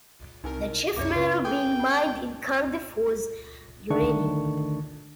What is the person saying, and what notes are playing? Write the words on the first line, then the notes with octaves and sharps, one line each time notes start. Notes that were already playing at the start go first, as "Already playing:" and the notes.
The chief mineral being mined in Cardiff was uranium.
C2 D#4 A#4 G#5
C2 F#2 C#5 D5 E5 D6
C#3 E4 B4 E5 C#6
G#4 A4 G5 G#5
C#4
D3 D#3 A3 D4 C#6